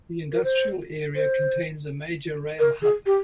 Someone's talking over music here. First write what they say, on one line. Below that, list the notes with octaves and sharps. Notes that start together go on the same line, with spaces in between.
The industrial area contains a major rail hub.
A#4
C5
C5
A#4
G#4
G4